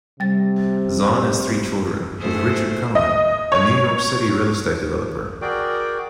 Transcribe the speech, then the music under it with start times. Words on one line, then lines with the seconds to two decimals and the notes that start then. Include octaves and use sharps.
Zahn has three children with Richard Cohen, a New York City real estate developer.
0.20 C3 G3 A6
2.18 G#2 A3 C5
2.95 D#5
3.52 C#5
5.42 F#4 G#4 A#4 D5 G5 D6